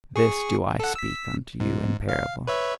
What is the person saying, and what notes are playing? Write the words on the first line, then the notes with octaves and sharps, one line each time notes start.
This do I speak unto you in parable.
G#4 C#6
A4 F#5
E6 B6
G#2
F5
B4 C#5 E5